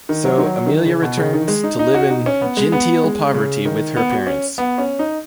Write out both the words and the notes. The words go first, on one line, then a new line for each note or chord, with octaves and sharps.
So Amelia returns to live in genteel poverty with her parents.
D#3
F#3
D#3
F#3
D#3
C#3
B2
C#3
D#3
G#3
D#4
D#4
F#4
D#4
C#4
B3
G#3
B3
G#3
C#3
D#3
B3
F#4
C#4
B3
C#4
D#4